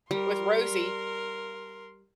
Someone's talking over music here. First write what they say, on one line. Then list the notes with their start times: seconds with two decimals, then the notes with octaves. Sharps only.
with Rosie,
0.11 G3 A#4 C6